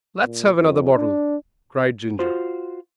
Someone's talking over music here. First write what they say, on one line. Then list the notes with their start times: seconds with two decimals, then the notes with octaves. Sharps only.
"Let's have another bottle," cried Ginger.
0.21 A#2
0.57 F2
0.96 D4
2.19 F4 F#4 C5